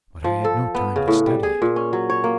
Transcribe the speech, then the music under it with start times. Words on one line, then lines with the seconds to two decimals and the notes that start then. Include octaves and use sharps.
But I had no time to study it.
0.24 F3
0.44 A4
0.75 B3
0.96 C#3
1.08 A2
1.27 G3
1.43 G#4
1.62 A#2
1.76 C#4
1.93 F#3
2.10 C#5
2.24 A#3